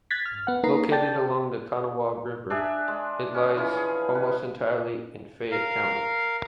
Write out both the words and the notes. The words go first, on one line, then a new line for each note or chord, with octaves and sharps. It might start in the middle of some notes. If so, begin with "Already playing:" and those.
Located along the Kanawha River, it lies almost entirely in Fayette County.
F#6 G#6 A6 B6
F6
B3 F#5
A#3 D#4 B4 A#5 C7
D5 G5 A5 G6 A6
D4 G#4 E5
G#3
C#4
E3 F3 C#4
G#4
B4
A#4 F5